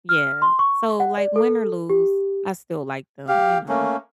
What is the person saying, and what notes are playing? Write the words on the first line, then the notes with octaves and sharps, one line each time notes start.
Yeah. So, like, win or lose, I still like them, you know?
F6
C6
C#6
F#5
D5
A4
G4
G4 F5
A3 A#3 C#4